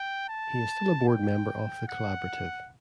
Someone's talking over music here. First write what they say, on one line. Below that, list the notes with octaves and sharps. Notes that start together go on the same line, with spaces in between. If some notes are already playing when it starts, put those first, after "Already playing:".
He is still a board member of the Collaborative.
Already playing: G5
A5
G5
F#5